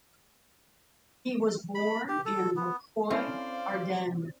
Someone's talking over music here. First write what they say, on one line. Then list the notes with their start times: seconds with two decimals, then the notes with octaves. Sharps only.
He was born in Rocroi, Ardennes.
1.75 B5
2.09 G4
2.25 A4
2.56 B3
3.10 C4 C#4 E4 A4 C5 D5 F5